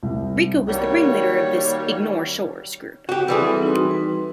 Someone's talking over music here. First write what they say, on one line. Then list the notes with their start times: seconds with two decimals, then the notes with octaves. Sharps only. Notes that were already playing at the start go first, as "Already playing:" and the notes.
Rico was the ringleader of this 'ignore Shores' group.
0.03 C2
0.69 D#3 G3 A#3 F#4 C#5
3.09 F#4 G4
3.28 E3 G3 C4 G#4 A4 B4
3.63 D#4 F#4 C6
3.91 B4